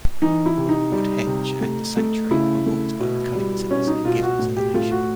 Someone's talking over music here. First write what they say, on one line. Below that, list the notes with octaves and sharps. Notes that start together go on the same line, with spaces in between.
Woodhenge and The Sanctuary were bought by the Cunningtons and given to the nation.
E3 D#4
E4
C3
D#4
G3
C3
A3
A3
C#3 E4
A3
B2
G3
B2 C#4
D#4
B2 F4
F#4
A2
G4
A3 F4
F#4